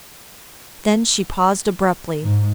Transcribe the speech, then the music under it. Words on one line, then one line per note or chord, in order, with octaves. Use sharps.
Then she paused abruptly.
G#2